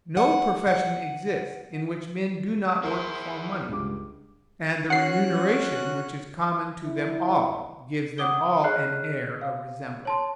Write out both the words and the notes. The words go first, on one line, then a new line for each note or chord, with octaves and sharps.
No profession exists in which men do not work for money; and the remuneration which is common to them all gives them all an air of resemblance.
F#5
F#5
E4 G#4 A#4 C5
C#2 G2 D6
C#4 F#4 F#5 F#6 C7
E4
F#5 D6 D#6 G7
G#4 C#5 D#5 F6 F#6 C7
F5
C#5 A5 C6